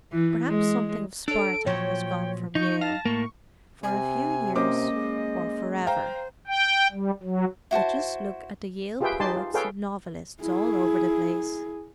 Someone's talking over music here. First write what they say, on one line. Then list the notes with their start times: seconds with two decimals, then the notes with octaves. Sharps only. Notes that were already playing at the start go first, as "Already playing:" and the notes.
Perhaps something of Sparta has gone from Yale, for a few years or forever, but just look at the Yale poets and novelists all over the place.
0.12 E3
0.47 G#3
1.28 D4 A4 C#5 D7
1.66 A#2 F3 F#3 C#5 G5
2.55 F3 D#4 C#6 G6
2.81 F5 A5 A#6
3.05 A2 A#3 C#6
3.83 C3 G#5
4.56 A#3 C#4 A#4 C5 D#5 D6
4.92 G#3
5.87 C5 F5 G5 A#5
6.47 G5
6.92 G3
7.23 F#3
7.71 E4 F#4 C5 A5
9.01 F4 G4 G#4 B4 E5 G5
9.20 D#4 G4 G#5 A5 C6
9.36 F4
9.54 G#4 A4 B4 C#5 F5 G5
10.41 E4 G#4